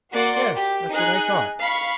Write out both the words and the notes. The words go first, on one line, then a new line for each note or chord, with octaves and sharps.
Yes: that's what I thought....
A#3 F#4 D5 F#5 C6
G4
D#4 G#4 G#5 F#6
F5 B5 C#6